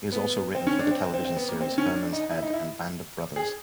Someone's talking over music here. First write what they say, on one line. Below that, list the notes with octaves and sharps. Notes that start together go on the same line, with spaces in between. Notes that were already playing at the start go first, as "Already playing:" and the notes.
He has also written for the television series "Herman's Head" and "Band of Brothers".
B3
C4
C#4
D4
C4
C4
C4
C4
B3
A#3
C4
C#4
D4
D#4
E4
D#4
E4
G#4